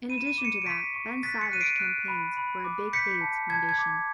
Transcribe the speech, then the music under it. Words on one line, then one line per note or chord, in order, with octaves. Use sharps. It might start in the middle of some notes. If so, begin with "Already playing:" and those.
In addition to that, Ben Savage campaigns for a big AIDS foundation.
B5 D#7
E7
D#7
D6 E7
C#7 D#7
D7
C#6 B6 C#7
C#6
F#6 A6 B6
B6 C#7
F#6 D#7
C7 D7
F#6
B5
B5
D6
G6 B6 C#7
A5
A5 G#6
G#6
D6